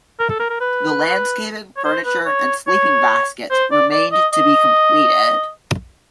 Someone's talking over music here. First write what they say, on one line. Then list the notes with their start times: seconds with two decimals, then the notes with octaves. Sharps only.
The landscaping, furniture and sleeping baskets remained to be completed.
0.19 A#4
0.30 A4
0.40 A#4
0.50 A#4
0.60 B4
1.77 C#5
1.85 C5
2.05 B4
2.26 C#5
2.68 C#5
3.50 C5
3.72 D5
3.91 D5
4.12 D#5
4.33 D#5